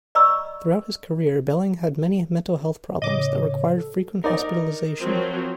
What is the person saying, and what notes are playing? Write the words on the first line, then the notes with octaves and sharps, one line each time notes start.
Throughout his career Belling had many mental health problems that required frequent hospitalisation.
D5 D#5 A#5 B5 C#6 E6
A2 C#3 C#5 D#5 D6
A4
D#4 A#4 D5
F3 F#3 C4